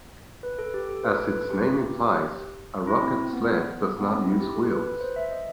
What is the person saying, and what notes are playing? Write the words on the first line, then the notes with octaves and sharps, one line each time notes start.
As its name implies, a rocket sled does not use wheels.
B4
A4
G4
A4
B4
A4
B4
G4
E4
C4
C4
B3
B3
C4
E4
G4
A4
B4
B4
C5
E5
D#5